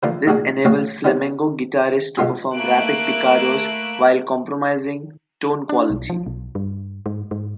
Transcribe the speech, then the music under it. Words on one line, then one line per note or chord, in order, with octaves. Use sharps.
This enables flamenco guitarists to perform rapid picados while compromising tone quality.
D3 E3 F3 A3 A#3
A1 E2 A#2 F#4 G#4
A1 D2 F#3 C4 C#5 F5
D#3 G3 B3 C#4 F#4
B2 G#3 B3 F4 G#4
A3 A#3 E4 F#6 D7
D4
B1
F3
B1
G2
G#2
G#2